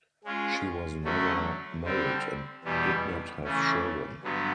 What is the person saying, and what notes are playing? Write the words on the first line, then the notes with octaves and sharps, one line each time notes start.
She was never married and did not have children.
G#3 C#4 F4
D3 F#3 A3 C#4
D3 G3 C4
E2 B2 G3 B3
C#3 E3 A3 C#4
G2 D3 F#3 B3